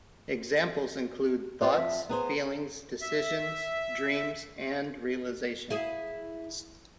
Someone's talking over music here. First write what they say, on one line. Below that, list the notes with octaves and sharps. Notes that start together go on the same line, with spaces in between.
Examples include thoughts, feelings, decisions, dreams, and realizations.
B3 F4 D5
F2 E5
B3 G#4 C5 A#5
E5
E4 G#4